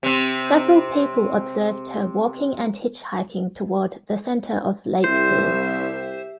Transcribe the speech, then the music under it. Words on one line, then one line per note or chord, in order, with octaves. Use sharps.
Several people observed her walking and hitchhiking toward the center of Lakeville.
C3 C4
C2 G4 C5 E5